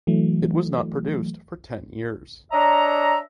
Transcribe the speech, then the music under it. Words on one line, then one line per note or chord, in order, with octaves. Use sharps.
It was not produced for ten years.
E3 F#3 A3
D4 C#5 D#5 E5 A#5